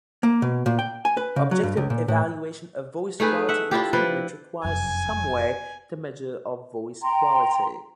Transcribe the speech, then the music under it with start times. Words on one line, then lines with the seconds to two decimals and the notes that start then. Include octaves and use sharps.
Objective evaluation of voice quality improvement requires some way to measure of voice quality.
0.23 A#3
0.42 B2
0.66 A#2
0.79 G5
1.05 G#5
1.17 B4
1.36 C#3
1.51 F#3
1.63 G2
1.77 C#2
1.90 A#2
2.08 A2
3.20 A3 D#4 G#4 B4
3.49 E5 F#5
3.71 D4 E4 F4 G4
3.93 F3 E4 B4
4.65 F1 F#2 G#5
7.03 G5 A#5 C6